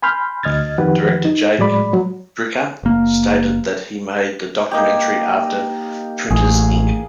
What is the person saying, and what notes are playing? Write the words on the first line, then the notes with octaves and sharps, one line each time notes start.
Director Jacob Bricca stated that he made the documentary after "Printers Inc".
G#5 B5 C6 F6 G6
D2 D#5 F6 G#6 A6
F2 D#3 F3 G4 B4 F#5
D#4
A2 F#3 G#3 D5 B5
F#3
F#1 A#3
A#3 D#4 G4
A1 A2 G#4